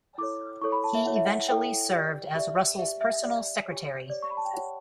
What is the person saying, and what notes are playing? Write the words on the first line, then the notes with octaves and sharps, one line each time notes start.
He eventually served as Russell's personal secretary.
E4 A4 C#5 D6
E4 A4 C#5 C#6
B5
A5
E5
E4 A4 C#5 F#5
E5
F#5
E4 A4 C#5 G5
G4 D5
G4 D5 E5
G4 D5 E5
E5
G4 D5
G4 C#5
G4 C#5 D5
C#6
B5
A5
G5
G4 C#5 F#5